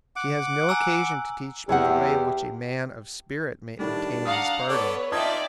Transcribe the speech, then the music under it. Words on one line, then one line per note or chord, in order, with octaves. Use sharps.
She has no occasion to teach me the way in which a man of spirit may obtain his pardon.
F#5 D6
G#5 A#5 E6
E2 G4 C#5 E5 F#5
A2 D#3 G3 D4
F5 F#5 A#5 D#6
B3 A4 C#5 D5
D#4 F4 D5 E5 G5 A5 D#6 G#6